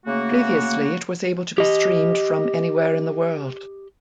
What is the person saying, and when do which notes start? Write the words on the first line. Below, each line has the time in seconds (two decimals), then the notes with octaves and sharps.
Previously it was able to be streamed from anywhere in the world.
0.06 C#3 A3 A#3 F#4
1.58 G4 D#5